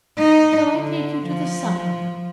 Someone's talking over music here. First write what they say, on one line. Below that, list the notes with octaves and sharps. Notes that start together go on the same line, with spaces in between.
Shall I take you to the supper-room?'
D#4
D3
F3